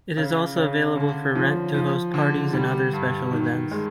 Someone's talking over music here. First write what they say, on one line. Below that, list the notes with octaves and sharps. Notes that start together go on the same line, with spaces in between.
It is also available for rent to host parties and other special events.
C#3
C#3
D3
F3
F3
D3
G3
G2
D#3
G#3